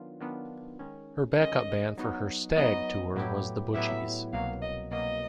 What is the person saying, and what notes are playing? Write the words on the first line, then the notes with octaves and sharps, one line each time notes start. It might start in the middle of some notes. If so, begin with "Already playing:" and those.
Her backup band for her "Stag" tour was The Butchies.
Already playing: D#3 F#3 B3 D4 F4
D#3 F#3 B3 D4 F4
D#3 G#3 C#4
D#3 G#3 C#4 D#5
F#3 B3 D#4 F#4
F#3 B3 D#4 F#4 D#5
A2 F#3 B3 E4 G4
A2 F#3 B3 E4 G4 E5
C2 B2 F#3 A#3 F5
D#5
C2 B2 F#3 A#3 D#5